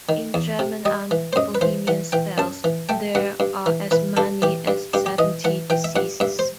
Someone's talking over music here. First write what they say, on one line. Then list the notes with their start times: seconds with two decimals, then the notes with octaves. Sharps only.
In German and Bohemian spells, there are as many as seventy diseases.
0.09 D#3
0.34 E2
0.59 C3
0.85 G3 D#5
1.11 E3
1.33 C5
1.36 F#2 D#5
1.55 B4
1.61 E3 C5
1.87 E3 F#5
2.12 E3 G5
2.38 F#2 A5
2.64 E3
2.89 A3 G5
3.15 G2 F#5
3.40 G2
3.66 E3
3.91 E3 B4
4.17 G2 A4
4.42 E3 G4
4.67 G2
4.94 G2 G4
5.06 G4
5.18 E3 D#5
5.44 E3 F#5
5.70 E3 G5
5.84 E5
5.96 G2 F#5
6.20 G2 E5
6.39 C5